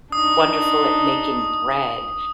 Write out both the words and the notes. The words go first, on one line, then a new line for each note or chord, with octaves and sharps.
wonderful at making bread,
D4 D#4 D#6